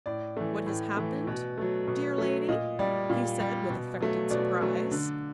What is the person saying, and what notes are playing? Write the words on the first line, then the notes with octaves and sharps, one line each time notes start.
"What has happened, dear lady?" he said, with affected surprise.
A2 D5
E3 A3
A2
E3 A3
B2
F#3 A3
B2
F#3 A3
A#2 D#5
G3 D5
A#2
G3
B2
F#3 A3
B2 D5
F#3 A3
D3